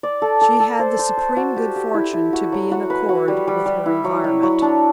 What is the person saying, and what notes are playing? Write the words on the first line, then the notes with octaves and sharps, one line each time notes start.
She had the supreme good fortune to be in accord with her environment.
D5
A4
A4
A4
C5
C5
C5
F#4
G4
G4
E4
E4
F#4
F#3
F#4
B4
F#4
G3
G3
G3
E4
F#3
F#3
F#3
D4